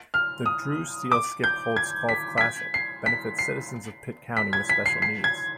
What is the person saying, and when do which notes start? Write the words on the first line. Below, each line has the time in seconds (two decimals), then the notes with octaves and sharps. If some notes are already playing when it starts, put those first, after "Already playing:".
The "Drew Steele-Skip Holtz Golf Classic" benefits citizens of Pitt County with special needs.
0.14 F6
0.46 D#6
1.12 D6
1.44 G6
1.76 G#6
2.09 B6
2.38 B6
2.41 G#6
2.74 C7
3.06 B6
3.39 C7
4.37 B6
4.53 G#6
4.69 B6
4.86 C7
5.02 C7
5.24 G#6